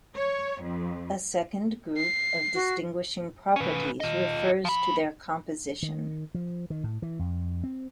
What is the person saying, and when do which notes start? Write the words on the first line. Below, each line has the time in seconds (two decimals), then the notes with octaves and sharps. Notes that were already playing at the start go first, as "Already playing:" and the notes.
A second group of distinguishing properties refers to their "composition".
0.16 C#5
0.62 F2
1.97 C7
2.54 F#4
3.56 C#4 B4
4.00 F4 D#5
4.65 F3 B5
5.83 D#3
6.35 F3
6.70 D#3
6.84 A2
7.02 E3
7.19 F2
7.64 C4